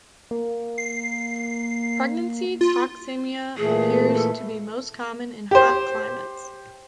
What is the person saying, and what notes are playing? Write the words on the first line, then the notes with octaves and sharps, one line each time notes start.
Pregnancy toxemia appears to be most common in hot climates.
A#3
C7
F4
A#2 E3 A3 G#4
A4
G4 C5